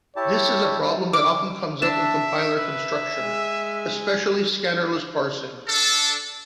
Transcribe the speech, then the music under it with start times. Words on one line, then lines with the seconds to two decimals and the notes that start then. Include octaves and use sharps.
This is a problem that often comes up in compiler construction, especially scannerless parsing.
0.16 E4 G4 C#5 A5
1.13 D6
1.82 D4 E5 A5
2.56 B4 E5
3.16 G#3 G#5
5.69 D4 A4